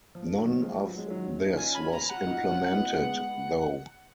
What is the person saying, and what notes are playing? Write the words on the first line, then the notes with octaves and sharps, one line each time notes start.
None of this was implemented, though.
F3
D#3 F#3
F3 G#3
F#3
G#3
D#3 F#3
D#4
C#4 F4 G#5
B5
A#5
F#5
F4
D#4 F#4
C#4 F4
B3 D#4
G#3 B3